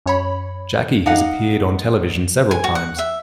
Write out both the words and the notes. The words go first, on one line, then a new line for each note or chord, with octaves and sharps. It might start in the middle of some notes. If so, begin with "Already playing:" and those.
Jakki has appeared on television several times.
F#2 C#5 B5
D#4 F5 F#5
G#5
F#4
F#5
E5